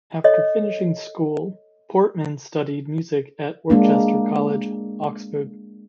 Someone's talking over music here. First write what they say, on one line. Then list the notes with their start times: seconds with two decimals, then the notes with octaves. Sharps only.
After finishing school, Portman studied Music at Worcester College, Oxford.
0.24 A4 C#5 D#5
3.70 G#3 A#3 D4